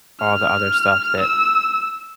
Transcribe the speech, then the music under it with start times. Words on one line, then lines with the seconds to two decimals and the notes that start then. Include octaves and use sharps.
all the other stuff that
0.21 F6
1.20 E6